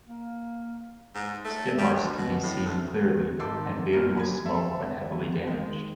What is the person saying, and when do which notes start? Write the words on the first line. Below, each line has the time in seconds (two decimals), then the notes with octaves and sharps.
Skid marks can be seen clearly, and vehicles smoke when heavily damaged.
0.07 A#3
1.15 G#2
1.45 A3
1.78 G3
1.96 D2
2.17 B2
2.43 A2
2.66 D2
3.39 G#1 D#3 A4 C6 D6
3.93 G1 F#2 A#2 A#4
4.17 B5 G#6
4.46 A4 E5
5.47 D#3 G#3